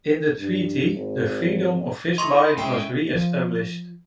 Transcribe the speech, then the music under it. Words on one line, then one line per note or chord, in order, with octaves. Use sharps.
In the treaty, the freedom of Visby was reestablished.
G2
G#1
E4 A4 D#5 C6 C#6
G#3 C#4 E5 G5
F3